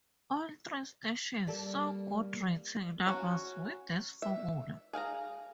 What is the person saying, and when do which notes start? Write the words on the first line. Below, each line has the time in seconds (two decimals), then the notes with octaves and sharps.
All three stations saw good rating numbers with this formula.
1.47 G3 A#3 A4
3.07 F#3 C#4 F#4
4.22 E5
4.93 G#4 F5 G5 A#5